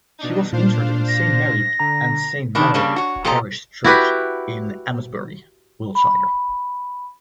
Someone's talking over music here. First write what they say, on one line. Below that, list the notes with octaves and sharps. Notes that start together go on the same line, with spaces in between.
She was interred in Saint Mary and Saint Melor Parish Church in Amesbury, Wiltshire.
B2 D4 D#4
A#2 D4 C5 F5
A#6
D3 A#5
B2 D#3 D4
C#3 G3 A#3 D4
F#4 C#5
A#2 G4 A4 C5 D#5 A#5
E4 F#4 G4 B4
B5